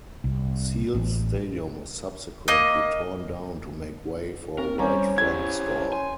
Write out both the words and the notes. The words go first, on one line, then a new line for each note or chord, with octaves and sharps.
Seals Stadium was subsequently torn down to make way for a White Front store.
C2
A1
A#3 D#5
C4 A#4
G3 C#4 C5 A#5
E4 G4 G#6
C5 G#5